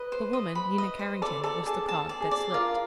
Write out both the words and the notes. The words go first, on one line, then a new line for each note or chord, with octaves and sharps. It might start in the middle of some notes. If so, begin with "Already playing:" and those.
The woman, Nina Carrington, was the cog that slipped.
Already playing: B4 D#5
C5
D#5
B5
D#5
C5
A4 D5
A4 D5
G#4 A5
A5
D5
G#4
D5
F4 A#4